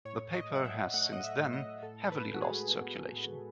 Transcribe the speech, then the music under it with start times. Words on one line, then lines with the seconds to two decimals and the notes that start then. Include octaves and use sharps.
The paper has since then heavily lost circulation.
0.05 A2 C#5
0.35 D#5
0.50 F#3
0.55 F#5
0.64 E5
0.94 A3 F#5
1.13 D#5
1.24 E5
1.38 A2
1.53 D#5
1.82 A2 A4
2.03 A4
2.12 B4
2.27 G#3
2.34 F#4
2.41 G#4
2.71 B3
3.15 A2